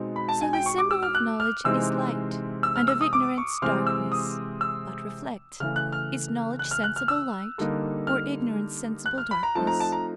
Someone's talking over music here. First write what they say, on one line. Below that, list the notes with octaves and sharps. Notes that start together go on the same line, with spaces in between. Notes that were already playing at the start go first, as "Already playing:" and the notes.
So the symbol of knowledge is light, and of ignorance, darkness; but reflect, is knowledge sensible light, or ignorance sensible darkness?
Already playing: B2 G#3 C4 D#4
B5
A5
G#5
G5
C#6
D6
E6
F6
F#6
F6
C3 E3 G#3 C4 D#4 E6
E6
F6
E6
D#6
D6
C#6
C3 E3 G#3 C4 F6
E6
D#6
E6
C#3 E3 A3 F6
F#6
F6
F#6
F6
F#6
F6
E6
D3 G3 A#3 D#4
F6
F#6
F6
B5
A#5
F3 A3 C4 D#4 A5
A#5
A5
A#5